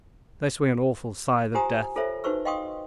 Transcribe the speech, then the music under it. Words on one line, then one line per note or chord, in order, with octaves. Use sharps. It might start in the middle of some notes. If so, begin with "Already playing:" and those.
They swing an awful scythe of death.
F4 G4 C5 G#5 A#5 D#6
F4 A4 A#4 C5 C#5 E5
D#4 F#4 B4 C5 C#6 E6
D#5 F5 G5 C6 C#6 D#6